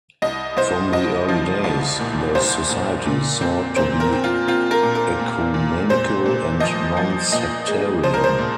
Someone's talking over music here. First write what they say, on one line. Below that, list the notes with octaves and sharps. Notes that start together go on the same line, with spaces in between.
From the early days, the Society sought to be ecumenical and non-sectarian.
C2 D#5
C2 C5
C2 D#5
F3
C2
A#2
C2 C5
A#2
A#2
C4
A#2 C5
A#4
C4
F4
C4 F4
A#4
A#2
A#4
A#2
A#2
A#2 C5
A#2
F3 D#5
F3
A#2 D#5
G#3
F3 C5
A#4
C5
A#2